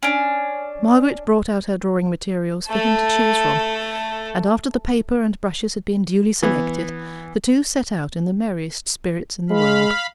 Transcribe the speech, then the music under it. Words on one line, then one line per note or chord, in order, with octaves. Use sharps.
Margaret brought out her drawing materials for him to choose from; and after the paper and brushes had been duly selected, the two set out in the merriest spirits in the world.
C#4 D4
A3 A4
E3 B3
G#3 F5 B5